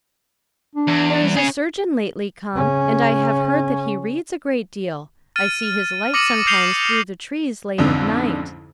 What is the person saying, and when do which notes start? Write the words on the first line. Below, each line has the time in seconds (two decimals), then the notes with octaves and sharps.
"There is a surgeon lately come, and I have heard that he reads a great deal--I see his light sometimes through the trees late at night."
0.75 D4
0.88 E2
1.22 G3
1.37 C#4 G#4 C#5
2.54 C#3 C#4
5.36 F6 A6 D#7
6.14 D6 D#6 A#6 C#7 D#7 F#7
6.47 G6 C7 C#7 D#7 F7 G7
7.78 A1 F2 G#2 D3